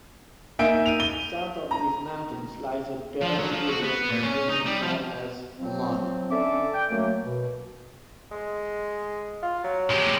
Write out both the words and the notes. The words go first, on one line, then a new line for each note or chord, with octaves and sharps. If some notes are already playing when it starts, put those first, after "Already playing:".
South of these mountains lies a barren desert region known as the Hamad.
A#3 D#4 E5 G#5 G6 D7
D#7 F7
D#7 G7
A#5
F3
F#3
F3
F#4
B3
A#2
C#4
D#4
G3
F3
F3 F#3 C4
D3 C#4 A4 E5 D6
D5 G5
F#2 F#3 A3 A#3
B2
G#3
F4
F#3
G#3 G4